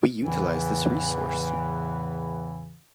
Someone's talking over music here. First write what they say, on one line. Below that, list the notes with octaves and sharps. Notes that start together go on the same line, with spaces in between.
We utilize this resource.
E2 A2 C#3 E3